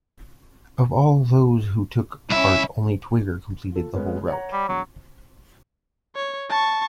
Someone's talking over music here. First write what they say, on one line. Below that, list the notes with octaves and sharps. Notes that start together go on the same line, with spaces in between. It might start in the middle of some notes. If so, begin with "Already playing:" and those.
Of all those who took part only Twigger completed the whole route.
C2 C#4 E4 E5
F4 A4
G#3 B3 C#4
C#5 F#5 A#5
G3
E1 F#3
C#5
A5 C#6